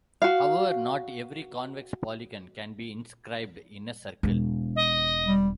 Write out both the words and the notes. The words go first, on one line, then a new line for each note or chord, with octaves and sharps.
However, not every convex polygon can be inscribed in a circle.
F#4 F5
E1
D#5
G3